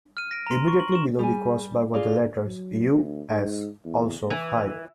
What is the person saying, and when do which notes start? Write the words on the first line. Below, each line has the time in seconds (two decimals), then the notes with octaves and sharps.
Immediately below the crossbar were the letters "U S", also high.
0.17 F6 D#7
0.31 A#6 D7
0.47 A#5 C6
0.68 C#6
0.80 F#7
0.92 C#6 E7
1.19 G3 G#4 G#5
1.94 A#3 F4 G#4 D5
2.45 F#3
2.91 D2
3.30 G#2
3.85 E2
4.30 E3